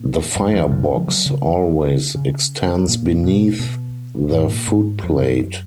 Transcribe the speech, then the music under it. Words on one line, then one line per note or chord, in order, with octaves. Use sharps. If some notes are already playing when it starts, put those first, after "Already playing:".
The firebox always extends beneath the footplate.
Already playing: A#2
F#2
F2
F#2
C#3
F3
F#3
C#3
C#3
A#2
B2
B2
G#2
A#2
G#2
F2
F#2